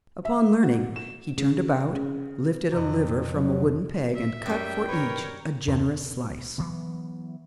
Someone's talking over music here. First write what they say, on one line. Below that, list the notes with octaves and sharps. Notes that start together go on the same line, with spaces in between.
Upon learning, he turned about, lifted a liver from a wooden peg and cut for each, a generous slice.
E5
F#4
E7
C#3
C#3
F2 C3
F#3
E5
F#2 G3 G5
A#4 B4 C#5
E2 G2 D3
B2
E3 F#3 B3